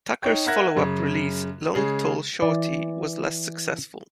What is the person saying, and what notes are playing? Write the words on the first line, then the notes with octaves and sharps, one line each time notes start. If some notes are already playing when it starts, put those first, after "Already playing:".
Tucker's follow-up release, "Long Tall Shorty", was less successful.
D#4 C#5 G5
A#4 E5 F#5 F#6 G#6 A#6
F#2 C#3
C#3 G#3 G#4
E3 D5